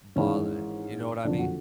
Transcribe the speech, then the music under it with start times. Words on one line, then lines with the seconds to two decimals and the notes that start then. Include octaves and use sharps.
balling, you know what I mean?
0.16 G#1 G#2 E3 G#3 C#4
1.25 F#1 F2 D3 F3 D4
1.38 F#4